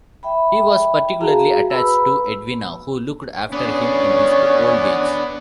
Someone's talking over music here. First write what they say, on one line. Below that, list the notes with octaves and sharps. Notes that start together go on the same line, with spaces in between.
He was particularly attached to Edwina, who looked after him in his old age.
E5 G5 B5
F#4 G#4 F5 A5 A#5
B4 B5 E6
B3 C#4 D4 G#4